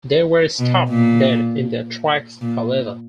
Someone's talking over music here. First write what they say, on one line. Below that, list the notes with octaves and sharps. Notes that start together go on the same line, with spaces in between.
They were stopped dead in their tracks, however.
B2
A#2
A#2